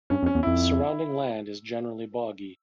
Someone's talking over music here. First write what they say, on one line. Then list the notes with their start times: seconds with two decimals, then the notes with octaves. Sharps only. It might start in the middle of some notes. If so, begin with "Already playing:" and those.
The surrounding land is generally boggy.
0.10 G2 C#4
0.23 F2
0.26 C#4
0.35 E2
0.43 F2 E4